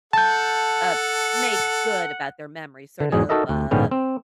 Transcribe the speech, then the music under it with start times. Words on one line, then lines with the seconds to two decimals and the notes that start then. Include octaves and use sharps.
uh, make good about their memory, sort of, uh,
0.13 A4 F#5 A5 G6
3.00 D3
3.12 E2 G#2 F#3 G#4
3.29 D#4 F#4 A4 A#4 D#5 E5
3.49 D2
3.71 A#1 G#2 D3 B3 C#4 G5
3.91 C4